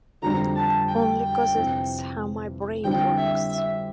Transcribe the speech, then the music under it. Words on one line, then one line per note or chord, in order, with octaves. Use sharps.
Only 'cause it's how my brain works.
F2 D3 G3 C4 A#5
A5
G5
G5
F2 C3 E3
D3 G3 C4 E4 G5
E5
E5